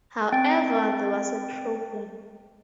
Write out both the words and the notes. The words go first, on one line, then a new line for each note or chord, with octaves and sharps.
However, there was a problem.
C4 G5 A6 D7